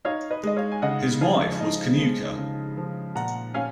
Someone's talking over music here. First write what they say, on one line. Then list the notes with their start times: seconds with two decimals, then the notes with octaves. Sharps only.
His wife was Cnucha.
0.05 D#4 C#5 F5
0.30 B4 D#5
0.43 G#3 D#5
0.56 C#5 F5
0.72 G#5
0.82 C#3 D#5 F#5
1.21 F3 F5 G#5
1.60 D#4
1.99 G#3
2.38 C#3
2.77 F3
3.15 A#2 F#5 A#5
3.54 C#4 F5 G#5